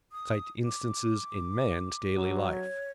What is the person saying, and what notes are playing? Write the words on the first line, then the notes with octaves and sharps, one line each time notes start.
Cite instances in man's daily life.
D#6
D6
F#3
C#5